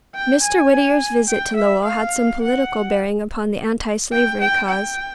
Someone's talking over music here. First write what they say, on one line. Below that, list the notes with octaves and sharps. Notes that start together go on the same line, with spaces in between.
Mr. Whittier's visit to Lowell had some political bearing upon the antislavery cause.
G5
G#5
G5
E5
F5
F#5
G5
G5
G5